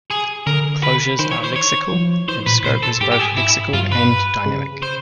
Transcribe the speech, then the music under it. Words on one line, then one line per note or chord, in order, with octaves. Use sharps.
Closures are lexical, and scope is both lexical and dynamic.
G#4
D3 A#4
B4
D#3 C5
E3 C#5
D#3 C5
C#5
F3
E3 C5
A#2 B4
A#2 C5
A4
G#2 G4
G4
G#4
E4
G2 F4
B4
C#3
C5